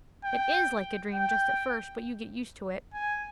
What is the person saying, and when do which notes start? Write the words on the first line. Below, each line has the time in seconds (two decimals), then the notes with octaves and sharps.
'It IS like a dream just at first, but you get used to it.
0.25 G5
1.14 G5
2.93 G#5